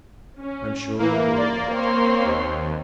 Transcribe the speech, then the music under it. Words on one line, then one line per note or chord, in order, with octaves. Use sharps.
I'm sure you'll be all right.
C#4
E3 A#3 E4
D5 C6
C4 C#5 C6
D#2